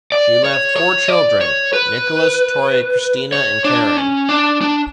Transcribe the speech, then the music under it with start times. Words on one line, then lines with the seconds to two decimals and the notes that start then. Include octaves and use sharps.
She left four children: Nicholas, Torre, Cristina, and Karen.
0.12 D5
0.44 C#5
0.76 C#5
1.08 D5
1.41 C#5
1.73 B4
3.32 C#5
3.65 D4
3.97 C#4
4.29 D4
4.61 D4